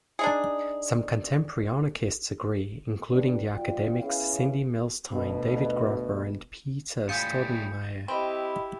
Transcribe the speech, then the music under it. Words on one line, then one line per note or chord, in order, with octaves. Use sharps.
Some contemporary anarchists agree, including the academics Cindy Milstein, David Graeber, and Peter Staudenmeier.
D4 D#4 G#4
B3 D4 F#4 G4 B4
D2 F3 F4 F#4 D5 G5
B3 C#4 E4 G#4 C#5 F5
D2 B2
A2 G3 F4 G#5 B5 D#6 G6 C#7
C4 E4 G4 D#5 B5